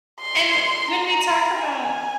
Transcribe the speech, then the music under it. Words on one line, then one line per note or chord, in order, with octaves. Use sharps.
And when we talk about
C6
A#5
G#5